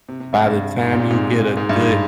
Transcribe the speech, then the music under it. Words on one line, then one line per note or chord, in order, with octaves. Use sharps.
by the time you get a good
C3
C3
G2
G2
G#2
A#2
C3
G#2
G#2
G2
G#2